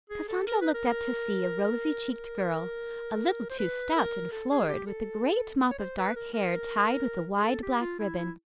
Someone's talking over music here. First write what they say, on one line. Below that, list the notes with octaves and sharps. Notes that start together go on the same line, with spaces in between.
Cassandra looked up to see a rosy-cheeked girl, a little too stout and florid, with a great mop of dark hair tied with a wide black ribbon.
G#4
A4
A#4
B4
A#4
A#4
C5
B4
A#4
A4
G#4
G4
A4
C#5
C5
B4
A#4
A#4
G#4
A4
G4
F4
E4
E4